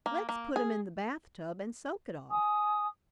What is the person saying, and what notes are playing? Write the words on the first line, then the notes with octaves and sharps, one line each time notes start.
"Let's put him in the bath tub and soak it off."
A#3
A#3
G#4
G#5 D#6